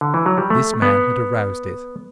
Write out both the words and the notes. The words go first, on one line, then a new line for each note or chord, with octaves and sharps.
This man had aroused it.
D3
E3
F#3
G3
A3
B3